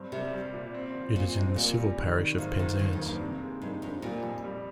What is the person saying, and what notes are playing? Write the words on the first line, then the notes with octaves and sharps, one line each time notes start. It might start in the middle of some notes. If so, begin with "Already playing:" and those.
It is in the civil parish of Penzance.
Already playing: G2 C4
C3 G3
G3
A#2
C4
F3
A#2 C4
G#2 C3
A#2 G3
G3
D#3
D#3
G#2 F4
G#2 D#3
G2 D#3
F2
A#3
G2
C3
G#3
G2 D#4
G2 F3
A#2 G3
F2
G3